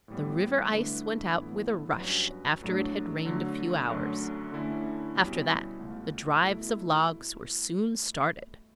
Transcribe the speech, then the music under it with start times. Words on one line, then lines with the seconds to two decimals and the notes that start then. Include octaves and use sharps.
The river ice went out with a rush after it had rained a few hours; after that the "drives" of logs were soon started.
0.08 A2 E3 G3 B3
0.71 D3 A3 E4 B4
1.36 A2 E3 B3 E4
1.98 G2 F#3 C#4 F#4 B4
2.62 A2 F#3 A3 D4
3.25 D3 F#3 A3
3.89 F#2 D3 F#3 A3
4.52 D3 A3 C#4 E4 A4
5.15 B2 G3 C#4 E4
5.79 C#2 B2 A3
6.43 B2 A3 E4 A4